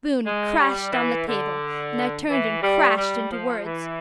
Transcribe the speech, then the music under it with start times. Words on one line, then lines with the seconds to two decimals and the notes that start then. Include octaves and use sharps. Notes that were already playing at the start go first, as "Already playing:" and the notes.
The spoon crashed on the table, and I turned and crashed into words.
0.25 G#3
0.59 G3
0.92 E3
1.27 D3
2.29 E3
2.62 G3
2.96 G3
3.31 F3
3.65 E3